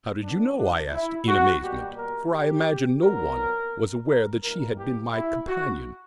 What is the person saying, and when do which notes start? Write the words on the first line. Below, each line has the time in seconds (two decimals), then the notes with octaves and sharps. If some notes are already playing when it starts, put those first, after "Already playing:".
"How did you know?" I asked in amazement, for I imagined no one was aware that she had been my companion.
0.23 A#2 F#3 B3 D4
0.59 D4
0.93 E4
1.28 F#4
1.63 B2 G3 A#3 G4
1.98 A#4
2.33 G4
3.03 A#2 F#3 B3 A#4
4.08 A#4
4.43 G2 E3 A#3 A#4
4.78 G4
5.13 E4
5.48 F#4